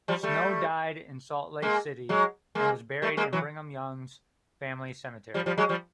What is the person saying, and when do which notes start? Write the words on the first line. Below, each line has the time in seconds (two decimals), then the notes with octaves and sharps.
Snow died in Salt Lake City, and was buried in Brigham Young's family cemetery.
0.08 F3 G3
0.23 G3 A3
1.62 G#3 A#3
2.09 F#3 G#3
2.55 G#3 A#3
3.02 G3 A3
3.17 G#3 A#3
3.33 E3 F#3
5.34 F3 G3
5.46 F3 G3
5.58 F#3 G#3
5.69 F3 G3